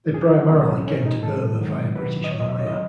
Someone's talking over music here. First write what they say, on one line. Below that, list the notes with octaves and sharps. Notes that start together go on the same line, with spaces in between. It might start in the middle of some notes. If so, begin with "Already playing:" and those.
They primarily came to Burma via British Malaya.
D#2 D#3 F#3 G#4
E4
F#4
C#2 B2 F#3 B3
C#4
G#2 E3 C#4
D#4
G#2 D#3 F#3 A4
G#2 D#3 F#3
D#2 D#3 F#3 B4
D#5
E2 B2 F#3 C#5
D#5
E5
C#5
C#3 F#3 D#5